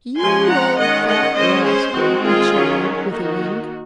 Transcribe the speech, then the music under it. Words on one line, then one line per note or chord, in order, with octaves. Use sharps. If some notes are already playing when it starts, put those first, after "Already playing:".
"You old fat rascal!" he chuckled, with a wink.
F3 G#3 C#4 G#5 C6
F#5 A#5
D#3 G#3 C#4 D#5 F#5
D#5 F#5
G#3 C#4 C5 D#5
G#4 C5
D#3 G#3 C4 F#4
F4 G#4
D#3 F#3 C#4
D#3 A#3 D#4 F#4